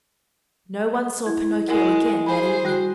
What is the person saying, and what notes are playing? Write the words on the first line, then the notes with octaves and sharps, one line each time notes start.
No one saw Pinocchio again that evening.
E4 G#6
G#3 E4 A#4 F#5
G#4 C5 B5
G3 F#4 F#6